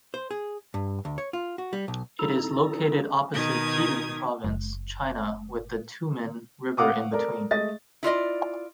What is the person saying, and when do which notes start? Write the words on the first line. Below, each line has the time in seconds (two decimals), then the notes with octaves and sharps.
It is located opposite Jilin Province, China, with the Tumen River in between.
0.14 C5
0.31 G#4
0.74 G2
1.05 D2
1.18 C#5
1.33 F4
1.58 F#4
1.73 G3
1.88 B1
2.19 D#4 E4 A4 A#5
3.33 B2 D#3 D#4 D#6 G#6
4.44 F#1
6.77 F5 F#5 D6 D#6
7.12 A4 A#4 D5
7.51 G#3 A3 D#5 A6
8.03 E4 F4 D5 D#5